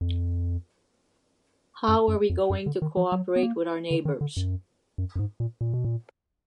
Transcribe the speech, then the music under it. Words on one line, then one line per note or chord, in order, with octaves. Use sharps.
How are we going to co-operate with our neighbours?
F2
F#2
F#2
F2
F#2
D3
D#3
F3
F#3
B3
A#3
D3
D#3
D3
F#2
F#2
F#2
G#2
A#2
A#2
B2
A#2